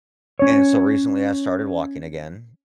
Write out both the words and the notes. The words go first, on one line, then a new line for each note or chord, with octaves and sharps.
And so recently I started walking again.
C#4 C#5